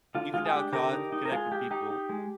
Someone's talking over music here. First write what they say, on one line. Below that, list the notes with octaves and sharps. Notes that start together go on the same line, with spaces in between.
you can now con connect with people
D3 F4
G#3 F4
G#4
D4 G4
D3 G4 A#4
D#4
D#4
A#4
G#3 F4 G#4
G#3 G4
D#4 G4
D#4
G#3